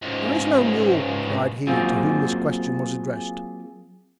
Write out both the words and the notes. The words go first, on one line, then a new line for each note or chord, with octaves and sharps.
"There is no mule," cried he to whom this question was addressed.
C#2 G#2
F#3 A#3 C4 F4 G#4